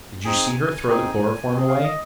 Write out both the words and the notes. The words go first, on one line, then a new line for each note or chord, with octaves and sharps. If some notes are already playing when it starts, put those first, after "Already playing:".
"Did you see her throw the chloroform away?"
C4 D#4 G#4 G#5
C4 D#4 G#4
C4 G#4
F5
D#5